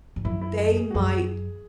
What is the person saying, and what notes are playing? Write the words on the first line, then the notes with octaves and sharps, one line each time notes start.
they might
G#2
F#2 E4
E4
G#4
G#4
F#4
F#2 G#4